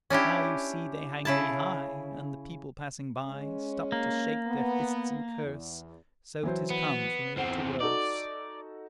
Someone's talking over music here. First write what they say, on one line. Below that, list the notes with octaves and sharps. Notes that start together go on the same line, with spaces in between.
"Now, you see, they hang me high, And the people passing by Stop to shake their fists and curse; So 'tis come from ill to worse."
C#4 D4 E4 G4
C#3 E4 A5
G#3 C#4
A#3
B3
E2
E3 F#3 C5
B3
E2 C4 F#5
D#4 F#4 A4 D5